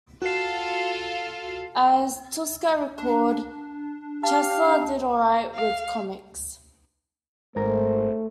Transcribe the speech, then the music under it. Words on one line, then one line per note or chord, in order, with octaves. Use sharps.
As Tuska recalled, Chesler did alright with comics.
F4 F#4 A4 F5 C7
D4
G4 F5 A5
F5
G#1 G#2 A3 A#4 C5